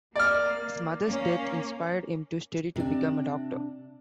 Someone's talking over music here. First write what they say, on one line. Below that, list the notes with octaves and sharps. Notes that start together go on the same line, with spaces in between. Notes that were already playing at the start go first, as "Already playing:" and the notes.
His mother's death inspired him to study to become a doctor.
A#3 D5 F6
A#3 C#4
C3 D4